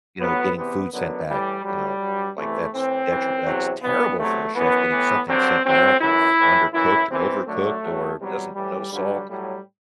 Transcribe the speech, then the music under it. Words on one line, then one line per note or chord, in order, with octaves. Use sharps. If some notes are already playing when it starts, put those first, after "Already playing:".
you know, getting food sent back, you know, like, that's detriment That's terrible for a chef getting something sent back of undercooked or overcooked or doesn't no salt,
A2 F#3 B3
E2 C3 E3 B3
F#2 D3 F#3 B3
A2 E3 G3
A2 F#3 G3
G2 F#3
E2 C3 E3 A3
A2 E3 C4
F#2 E3
E2 C3 F#3
G2 E3 B3
E2 C3 F#3 A3
F#2 E3 B3
A2 E3
G2 D3 F#3 C4
A2 F#3 C4
F#2 E3 E4
A2 E3
F#2 E3 E4
E2 C3 E3 C4
F#2 D3 F#3 A3
A2 F#3
E2 C3 F#3 G3
A2 E3 G3
G2 D3 F#3 G3
A2 F#3 G3